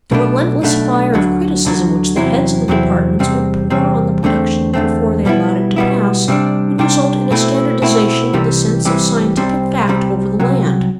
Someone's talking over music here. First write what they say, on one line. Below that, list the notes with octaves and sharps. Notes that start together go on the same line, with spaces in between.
The relentless fire of criticism which the heads of the departments would pour on the production before they allowed it to pass would result in a standardization of the sense of scientific fact over the land.
B1 B2 A3 D4
B1 B2 A3 D4
D2 D3 F#3
D2 D3 F#3
E2 C3 F#3 C4 E4
E2 C3 F#3 C4 E4
E2 C3 G3 C4
E2 C3 G3 C4
E2 D3 A3 C4
E2 D3 A3 C4
B2 G3 B3 E4
B2 G3 B3 E4
C3 G3 D4
C3 G3 D4
B2 A3 C4 E4
B2 A3 C4 E4
C2 C3 E3 G3
C2 C3 E3 G3
C2 C3 G3 C4
C2 C3 G3 C4
C2 C3 F#3